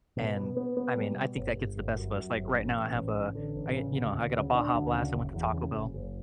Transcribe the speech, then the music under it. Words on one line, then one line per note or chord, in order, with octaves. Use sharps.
and I mean, I think that gets the best of us. Like, right now I have a I you know, I got a Baja Blast; I went to Taco Bell.
B2
B3
B3
B3
G3
B2
G1
G1
G1
F#2
F#2
G1
A1
A1
A1
A1
D3
A1
C#3
D2
D2
C#3
D4
D2
C#3
F#1
E2
C#3
F#1
F#1